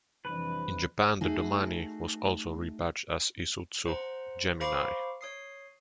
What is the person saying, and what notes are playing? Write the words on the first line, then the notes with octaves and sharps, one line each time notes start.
In Japan, the Domani was also rebadged as the Isuzu Gemini.
F2 C3 E3 G3 D4 B4
A3 D#4 F#4 G#4
C5 F#5 A#5
C5 F5 A#5 B5 C#6 D6
C#5 D#6 C7